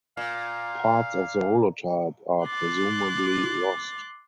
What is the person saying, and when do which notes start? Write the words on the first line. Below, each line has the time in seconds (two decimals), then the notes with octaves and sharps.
Parts of the Holotype are presumably lost.
0.17 A#2 F5
2.43 C6 D6 F#6 A6